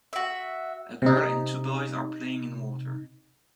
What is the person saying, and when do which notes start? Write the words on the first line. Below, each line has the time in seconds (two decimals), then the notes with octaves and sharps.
A girl and two boys are playing in water.
0.13 F#4 E5
1.02 C3 D#4